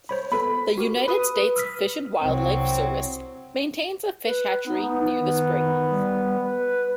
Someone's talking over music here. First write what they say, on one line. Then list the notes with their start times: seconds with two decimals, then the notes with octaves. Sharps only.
The United States Fish and Wildlife Service maintains a fish hatchery near the spring.
0.09 C5 C#5 B5
0.32 B3 A4 B4 B5
0.78 F#4 G4 A#4
1.08 B4 D#6
1.56 E6 F6 B6
2.22 C2 F#3 C4
4.25 B4
4.67 B3 D#4
5.20 D#3
5.90 G3
6.41 B4